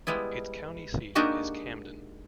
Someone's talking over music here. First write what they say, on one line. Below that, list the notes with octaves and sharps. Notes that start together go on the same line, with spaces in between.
Its county seat is Camden.
G3 G#3 B3 E4
G#3 A#3 D4 D#4 F#4 G4